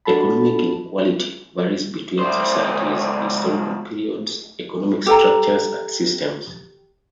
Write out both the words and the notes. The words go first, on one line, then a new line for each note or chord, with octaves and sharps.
Economic inequality varies between societies, historical periods, economic structures and systems.
D4 F#4 A4 A5 B5
C#2 C5
G4 A4 G5 A#5